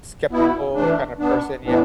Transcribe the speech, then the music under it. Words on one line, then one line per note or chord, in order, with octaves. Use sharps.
skeptical, kinda person yeah,
B2 B3 E4
E3 A3 D4
B2 B3 D4
A2 E3 B3 D4